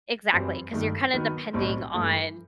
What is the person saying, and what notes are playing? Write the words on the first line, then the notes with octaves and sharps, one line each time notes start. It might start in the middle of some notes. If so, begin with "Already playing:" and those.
Exactly, 'cause you're kinda depending on
F#2 E3 G3 C4
G2 D#3 A3
D#3 F#3 B3
B1 A2 G3 C4
G2 E3 A3